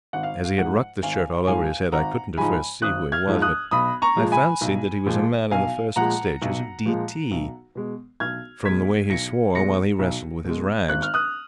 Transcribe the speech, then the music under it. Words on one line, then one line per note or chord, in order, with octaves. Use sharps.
As he had rucked the shirt all over his head, I couldn't at first see who he was, but I fancied that he was a man in the first stage of D. T. from the way he swore while he wrestled with his rags.
G#1 F#5
F5
F5
G#2 F3 G#3 F#5
G#1 F5 G#5
G#2 F3 G#3 F5 G#5
G#1 F#5 A#5
G#2 F3 G#3 G#5 B5
G#1 D#6 F#6
F6 G#6
G#2 F3 G#3
D#6 F#6
B1 B5 D#6
A#5 C#6
A#2 F3 G#3
G#5 B5
B1
A#2 F3 G#3
B1 F5 G#5
A#2 F3 G#3 F#5 A#5
B1
A#2 F3 G#3
B1
B2 G#3
B1 F6 G#6
B2 G#3 G#6 B6
B1 A#6 C#7
B2 G#3 A#6 C#7
B1
B2 G#3
G#1 F#6
F6
D#6 F#6